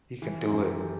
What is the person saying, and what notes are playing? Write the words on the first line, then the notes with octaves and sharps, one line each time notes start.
You can do it.
E3
F#2
G4
A4
E3